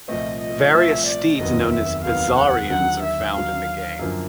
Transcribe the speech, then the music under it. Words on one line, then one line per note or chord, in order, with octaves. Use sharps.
Various steeds known as bizarrians are found in the game.
C2 A#2 F3 A3 C4 D#5
D#5
C2 A#2 F3 A3 C4 E5
D5
F1 D#2 D#3 F#3 B3 D#5
E5
F1 D#2 D#3 F#3 B3 F5
F#5
D#2 D3 F#3 F#5
E5
D#2 D3 F#3 F5
F#2 D3 F3 A#3